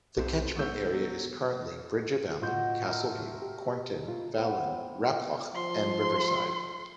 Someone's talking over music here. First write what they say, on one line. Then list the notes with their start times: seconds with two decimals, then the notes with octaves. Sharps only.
The catchment area is currently: Bridge of Allan, Castleview, Cornton, Fallin, Raploch and Riverside.
0.17 B1 C3 A3 B3 C5
0.56 G#2 B3 C#6 E6 G6
0.93 B2 F#3
2.42 A2 F4 F#4 C5 D#5 G6
2.83 A4 A#4 E5
3.42 G4
4.08 F4
4.37 B3 G4 C5
5.05 F4 A#5
5.55 F3 C6